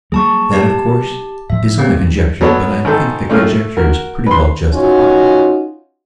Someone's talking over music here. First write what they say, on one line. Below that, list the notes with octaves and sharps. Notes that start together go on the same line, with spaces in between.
That of course is only conjecture, but I think the conjecture is pretty well justified.
F#3 G3 A#3 G#4 A5 C#6
G4 A5
A2 F3 E5
A#3 C4 G4
F#3 B3 A4 C#5
G#1 D#3 A4
A2 C#3 A3 A#3 C#4 F4
A3
F#4 A#4
B4 C6
C#4 D#4 F4 F#4